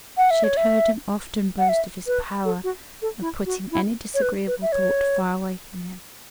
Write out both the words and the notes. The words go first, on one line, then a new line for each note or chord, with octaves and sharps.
She had heard him often boast of his power of putting any disagreeable thought far away from him.
F#5
E5
C#5
E5
F#5
E5
B4
A4
F#4
A4
E4
F#4
E4
C#5
B4
B4
E5
C#5